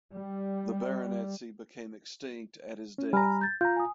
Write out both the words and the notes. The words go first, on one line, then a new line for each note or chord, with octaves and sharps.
The Baronetcy became extinct at his death.
G3
C#4
G3 G#5 A#5 B5 F6
G6 A6
F4 A#5 G6
G#5 D#6